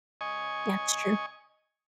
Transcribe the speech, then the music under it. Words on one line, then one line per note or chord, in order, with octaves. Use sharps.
Yeah, it's true.
D#5 G#5 C#6